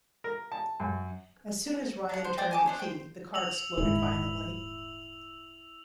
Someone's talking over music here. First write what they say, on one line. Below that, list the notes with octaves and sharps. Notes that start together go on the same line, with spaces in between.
As soon as Ryan turned the key, the car exploded violently.
A#4
A5
F#2
D4 F#5
C5
C5 D5 G5
G#5 A5 D6
D4 C5 C#5
C5 G5
E6 F7 F#7
D#1 G#2 E4